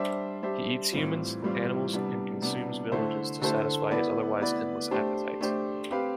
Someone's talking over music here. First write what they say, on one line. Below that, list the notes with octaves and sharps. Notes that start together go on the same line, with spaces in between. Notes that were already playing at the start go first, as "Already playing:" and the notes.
He eats humans, animals and consumes villages to satisfy his otherwise endless appetite.
Already playing: G3 D4 G4 C5 E5
G3 D4 G4 C5 E5
A2 E3 G3 C4 F4
A2 E3 G3 C4 F4
C3 G3 B3 D4
C3 G3 B3 D4
D3 A3 E4 A4 C5
D3 A3 E4 A4 C5
B3 E4 B4 D5
B3 E4 B4 D5
A3 D4 G4 C5
A3 D4 G4 C5
C4 G4 B4 F5